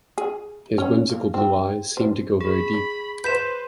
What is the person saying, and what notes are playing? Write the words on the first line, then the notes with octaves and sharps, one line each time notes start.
His whimsical blue eyes seemed to go very deep.
G#4
C#4
A#3
C4
C5
G#4 B5
B4 C5 G6 B6 E7